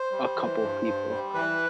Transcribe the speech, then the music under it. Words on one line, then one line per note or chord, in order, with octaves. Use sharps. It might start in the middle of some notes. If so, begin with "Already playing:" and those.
a couple people,
Already playing: C5
G3
E3
G2
G2
G3
E3 B4